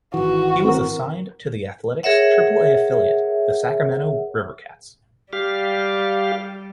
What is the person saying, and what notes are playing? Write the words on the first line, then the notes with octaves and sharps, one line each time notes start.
He was assigned to the Athletics' Triple-A affiliate, the Sacramento River Cats.
G#1 E3 F#4
C4 A#4
G#4 A#4 C#5 E5 F#5
G3 G4 F5